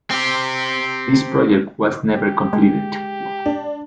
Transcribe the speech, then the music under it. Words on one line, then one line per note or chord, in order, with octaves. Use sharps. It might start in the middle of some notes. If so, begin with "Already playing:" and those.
This project was never completed.
C4 G4
G4
G#3
D4